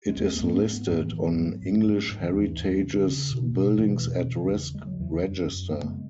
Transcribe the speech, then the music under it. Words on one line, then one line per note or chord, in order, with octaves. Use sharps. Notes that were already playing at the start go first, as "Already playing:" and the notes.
It is listed on English Heritage's Buildings At Risk register.
G#3
E2
G#3
B3
G#2 A#3
G#2 C#4
B3
G#2 G#3
E3
G#2 E3
E3
G#2 F#3
G#2
G#2
G#2
D#3
E2 E3
E2
C#3
C#3
B2
B2
B2 E3
E2
C#3
E2
C#3 G#3
F#3
E2 E3
F#3
F#2
F#2
C#3 B3
A#3
G#3